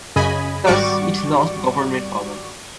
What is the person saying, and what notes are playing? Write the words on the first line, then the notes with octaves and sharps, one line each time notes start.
Thus it lost government power.
F#2 C#3 D#5 G#5 B5
G#1 G3 F#4 D5 C#6 D6